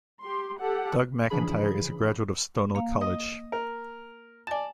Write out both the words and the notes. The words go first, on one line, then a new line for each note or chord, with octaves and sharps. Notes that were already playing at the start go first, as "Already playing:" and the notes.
Doug McIntyre is a graduate of Stonehill College.
G4 C6
G4 A4 F#5
C#3 E3 F3 D4 G#4 B5
A#3 F5
D#5
A#4
D5 G#5 A5 A6